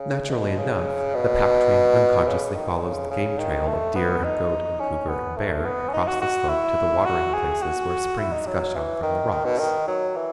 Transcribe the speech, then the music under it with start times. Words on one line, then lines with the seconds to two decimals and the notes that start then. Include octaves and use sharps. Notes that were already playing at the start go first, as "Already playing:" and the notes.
Naturally enough, the pack-train unconsciously follows the game-trail of deer and goat and cougar and bear across the slope to the watering-places where springs gush out from the rocks.
Already playing: C#3
0.29 B2
0.58 C#3
1.15 B2
2.28 C#3
2.56 D#3
2.83 C#3
3.11 C#3
3.39 D#3
3.68 A3
3.95 B3
4.24 D#4
4.80 C#4
5.09 B3
5.37 A3
5.65 B3
5.89 C#4
5.94 D#4
6.08 F#4
6.22 F#4
6.49 E4
7.05 F#4
7.33 G#4
7.62 F#4
8.19 E4
8.32 D#4
8.47 F#3
8.75 E3
9.03 D#3
9.31 D#3
9.45 B2
9.59 D#3
9.88 F#3
10.16 E3